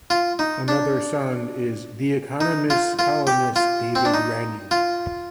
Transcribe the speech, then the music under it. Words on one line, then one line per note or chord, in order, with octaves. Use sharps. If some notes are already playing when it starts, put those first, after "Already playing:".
Another son is "The Economist" columnist David Rennie.
F4
D#4
D4
D#4
F4
F4
G4
F4
C4
D4
D#4
F4